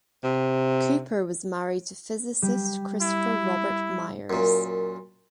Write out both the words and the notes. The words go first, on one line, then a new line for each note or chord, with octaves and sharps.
Cooper was married to physicist Christopher Robert Myers.
C3
G3
E4
F#2 A#2